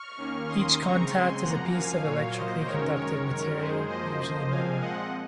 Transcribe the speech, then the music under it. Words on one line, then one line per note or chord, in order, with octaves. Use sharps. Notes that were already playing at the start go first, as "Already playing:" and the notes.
Each contact is a piece of electrically conductive material, usually metal.
Already playing: C#6 F6
D#2 D#3 A#3 C#4
C6 D#6
C#3 G#3 C4 A#5 C#6
G#5 C6
F#2 F3 A#3 F#5 A#5
F5 G#5
A#2 F#3 A#3 C#5 F5
C5 D#5
F#2 D#3 G#3 C#4 A#4 C#5
A#4 C#5
F#2 D#3 G#3 A#4 C#5
G#4 C5
F#2 F3 A#3 C5 D#5
A#2 F3 G#3 C4 F5 G#5
D#5 F#5